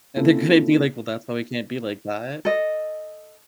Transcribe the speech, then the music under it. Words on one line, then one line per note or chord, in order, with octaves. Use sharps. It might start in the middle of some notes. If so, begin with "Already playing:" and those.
And they're gonna be like, "Well, that's why we can't be like that."
A#3 C4 C#4 E4 F4 A4
A4 D#5